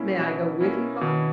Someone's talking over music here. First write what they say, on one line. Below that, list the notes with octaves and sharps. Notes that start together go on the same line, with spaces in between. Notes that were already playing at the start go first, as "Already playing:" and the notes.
"May I go with you, father?"
Already playing: B2 A#3 C#4 E4
B2
A#3 C#4 E4
B2 D#3